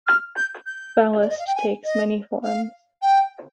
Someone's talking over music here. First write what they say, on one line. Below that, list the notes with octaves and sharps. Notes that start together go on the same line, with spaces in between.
Ballast takes many forms.
F6
G6
G6
D5
D#5
F5
G5
G#5
D#5
F5
G5